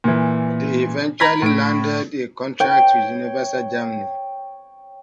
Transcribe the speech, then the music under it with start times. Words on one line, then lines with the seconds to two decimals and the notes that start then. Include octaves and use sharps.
They eventually landed a contract with Universal Germany.
0.04 A#2 E3
1.20 A#5 B5 G#6 A#6 B6
1.42 A2 D7
2.60 C#5 G5